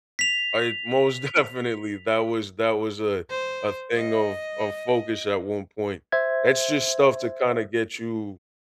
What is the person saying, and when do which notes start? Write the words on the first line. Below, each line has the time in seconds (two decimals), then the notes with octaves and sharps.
I Most definitely, that was that was, uh, a thing of of focus at one point. It's just stuff to kinda get you
0.19 B6 F7
3.29 C5
3.95 D#5
6.12 C5 E5 G#6